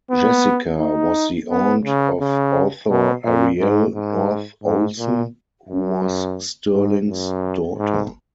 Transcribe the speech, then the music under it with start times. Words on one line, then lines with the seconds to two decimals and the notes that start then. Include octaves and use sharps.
Jessica was the aunt of author Arielle North Olson who was Sterling's daughter.
0.11 B3
0.80 D#4
1.50 B3
1.85 C#3
2.20 C#3
2.89 B2
3.25 A#2
3.60 G#2
3.94 G#2
4.64 G#2
4.99 A#2
5.69 F#2
6.73 G#2
7.09 F#2
7.78 G#2